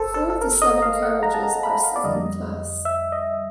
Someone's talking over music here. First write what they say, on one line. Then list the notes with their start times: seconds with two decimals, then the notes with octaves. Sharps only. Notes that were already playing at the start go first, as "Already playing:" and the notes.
Four of the seven carriages are second class.
Already playing: G1 A4 A#4 C5
0.14 A4
0.30 A4
0.41 A#4
0.62 D#5
0.82 F5
1.02 F#5
1.23 A#5
1.34 A5
1.43 A#5
1.63 B5
1.84 F5
1.96 D5
2.04 F2 D3 G3 D#5
2.85 E5
3.12 D#5